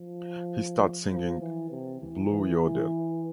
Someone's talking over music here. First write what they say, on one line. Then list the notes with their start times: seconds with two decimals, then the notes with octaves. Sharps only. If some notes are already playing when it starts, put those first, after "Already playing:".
He starts singing "Blue Yodel".
Already playing: F3
1.10 F3
1.41 E3
1.71 C3
2.00 E3
2.30 E3